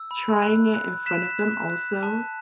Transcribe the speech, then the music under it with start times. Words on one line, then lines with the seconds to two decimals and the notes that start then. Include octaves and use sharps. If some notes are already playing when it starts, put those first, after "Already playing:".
Trying it in front of them also.
Already playing: E6
0.11 B5
0.43 F#6
0.75 F#6
1.06 F#6 B6 E7
1.39 F#6
1.70 F#6
2.03 A5